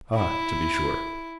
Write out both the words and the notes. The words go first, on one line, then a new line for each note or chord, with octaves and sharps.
Ah, to be sure!
E4